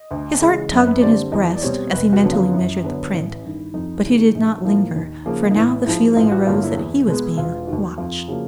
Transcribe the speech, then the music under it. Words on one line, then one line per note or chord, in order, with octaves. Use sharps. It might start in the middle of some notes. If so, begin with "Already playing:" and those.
His heart tugged in his breast as he mentally measured the print, but he did not linger, for now the feeling arose that he was being watched.
Already playing: D#5
D2
C#3 E3 G#3
F#2
B4
D3 G3 C4 D5
E2 D#5
D5
B2 G3 C4 C#5
F1 B4
F#4
F2 D3 F#3 B3
F4
F#2 E4
D3 F#3 B3
A1
G2 D#3
F2 D#4
C#3 E3 G#3
A#1
A2 F3 A#3
D#2
C#3 F3 A#3
D#4
A1 E4
G#2 F3 E4
A1 F4
F#4
G2 D3 F#3 A#3 F4
E4
E2
B2 G#3 B3
E1 F4
D#2 D#3 F#4
F2 F4
C#3 F3 A#3 F#4